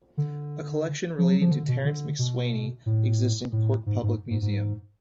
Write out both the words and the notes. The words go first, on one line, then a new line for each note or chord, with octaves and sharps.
A collection relating to Terence MacSwiney exists in Cork Public Museum.
D3
F3
F#3
F3
D3
B2
D3
B2
A2
A2
G#2
G#2
G#2
G#2